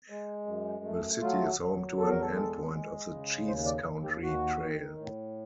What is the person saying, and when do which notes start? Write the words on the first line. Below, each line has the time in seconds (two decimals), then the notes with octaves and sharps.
The city is home to an endpoint of the Cheese Country Trail.
0.10 G#3
0.46 F#2
0.85 A3
1.22 F#3 F4
1.60 F#3
1.97 E2 A4
2.09 A#4
2.22 A4
2.34 G#3
2.72 G#3
3.10 C#3
3.47 D#2 C5
3.66 D5
3.84 D#2
4.03 G4
4.23 D#2 F#4
4.60 D#3
4.97 A2